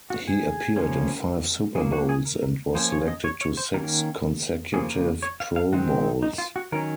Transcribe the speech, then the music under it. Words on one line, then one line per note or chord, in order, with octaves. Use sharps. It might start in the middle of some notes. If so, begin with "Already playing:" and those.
He appeared in five Super Bowls and was selected to six consecutive Pro Bowls.
F#4
G#4
C#3 F3 A#3 C#4
C#3 F#3 A#3 G#4
F#4
G#4
A#4
F3 A#3 C#4 C5
C#5
D#5
C#5
C#5
C5
D#3 A#3 C#4 A#4
C#3 F3 A#3 G#4
A#4
C#5
F5
F5
D#3 G#3 C4 F#4
D#4
F4
F#4
D#3 F#3 C#4 A#4